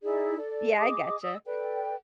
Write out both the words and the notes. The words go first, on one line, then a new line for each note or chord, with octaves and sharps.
Yeah, I gotcha.
D#4 E4 G#4 D5
A4 D5
G#4 D#5 D6 D#6
D5 D#6 E6
A4 B4 D5 G5